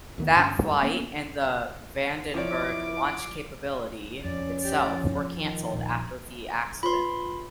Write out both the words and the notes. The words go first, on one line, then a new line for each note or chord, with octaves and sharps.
That flight and the Vandenberg launch capability itself were canceled after the accident.
D2 D#3 B3
G2 D3 C#4 D4
G2
A#3 B3 C#4
F3 E4 C#5 D5 D6
F2 C#4 D5
G4 D5
F3
D#3
D#1 A#1
F4 B4 B5 C6